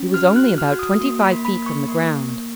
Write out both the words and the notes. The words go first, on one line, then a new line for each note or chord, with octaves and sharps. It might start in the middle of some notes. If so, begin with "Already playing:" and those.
He was only about twenty-five feet from the ground.
Already playing: C#4
F#4 F6
F#6
F#4
F6
F#4
D#6
A#3
B5
A#3
B5
A#3
C#6
A#3
A#3